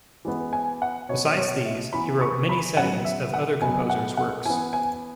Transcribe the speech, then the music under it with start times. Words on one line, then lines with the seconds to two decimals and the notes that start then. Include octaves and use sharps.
Besides these, he wrote many settings of other composers' works.
0.25 E3 G#3 B3
0.53 G#5
0.82 F#5
1.09 B2 B3 C#5
1.37 C#5
1.65 E5
1.93 E3 B3 B5
2.21 C#6
2.49 B5
2.77 C#3 F#3 B3 F#5
3.05 E5
3.34 F#5
3.62 B2 F#3 B3 G#5
3.90 F#5
4.17 F#5
4.45 E3 B3 G#5
4.73 G#5